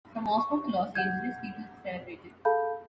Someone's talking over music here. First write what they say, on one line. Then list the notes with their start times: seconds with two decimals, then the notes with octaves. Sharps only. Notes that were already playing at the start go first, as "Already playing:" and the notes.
From Moscow to Los Angeles, people celebrated.
0.38 C#6
0.95 F#5 G6 G#6
2.45 G#4 A4 F5 A5 B5 G6